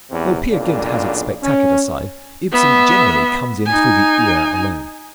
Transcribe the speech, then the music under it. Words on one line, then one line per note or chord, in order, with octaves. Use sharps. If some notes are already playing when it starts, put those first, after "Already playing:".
Though Peer Gynt has its spectacular side, Ibsen generally comes in through the ear alone.
E2 C3
B1 A#2 C#3 D4
C#4
B3 E5
D#4 G#5